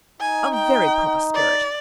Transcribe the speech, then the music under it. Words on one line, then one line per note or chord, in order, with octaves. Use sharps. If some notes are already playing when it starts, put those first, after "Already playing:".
A very proper spirit!'
D#4 G#5
G5
D5